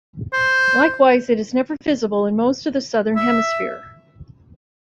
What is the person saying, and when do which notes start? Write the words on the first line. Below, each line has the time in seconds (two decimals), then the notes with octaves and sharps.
Likewise, it is never visible in most of the southern hemisphere.
0.33 C5
3.16 E5